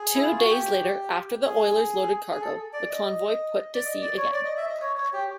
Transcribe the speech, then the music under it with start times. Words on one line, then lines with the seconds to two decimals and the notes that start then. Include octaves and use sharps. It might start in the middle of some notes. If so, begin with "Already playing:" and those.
Two days later after the oilers loaded cargo, the convoy put to sea again.
Already playing: G#4
0.15 E4
0.26 F4
0.38 F#4
0.49 G4
1.45 G#4
2.31 G#4
2.41 A4
2.73 D5
2.89 D#5
3.74 D5
3.85 D#5
4.01 D5
4.17 C#5
4.33 D5
4.45 D#5
4.57 E5
4.69 D#5
4.81 C#5
4.97 C#5
5.13 G4